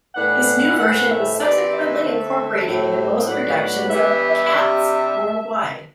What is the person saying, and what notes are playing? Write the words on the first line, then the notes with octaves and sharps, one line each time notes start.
This new version was subsequently incorporated into most productions of "Cats" worldwide.
A2 E3 B3 D4 F#5
A2 E3 A3 C4 F#5
E5
E5
E3 G3 C4 D5
E5
D3 A3 C4
A2 F#3 C4
A2 F#3 B3 D4 F#5
E3 G3 B3 D4 E5
E5
E5
C3 G3 D4